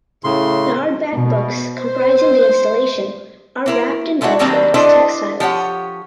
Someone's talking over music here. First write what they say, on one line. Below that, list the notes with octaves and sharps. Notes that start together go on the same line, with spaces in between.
The hardback books comprising the installation are wrapped in Dutch wax textiles.
A2 C#3 C6
B2
C5
A#3 E4 A#4
G#3 A3 D4 E4 F#4
D#3 F#3 G3 A#3 C4 D4
D4 E4 A4 C5 D5 D#5
F3 G4 C#5 F#5